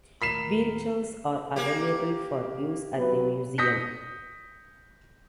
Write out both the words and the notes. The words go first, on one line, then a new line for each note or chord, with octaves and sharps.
Wheelchairs are available for use at the museum.
D#2 A2 A#4 B5 B6 C7 E7
A#3 G4
F#3 B3 B4
D#6 G6 A#6 B6 C#7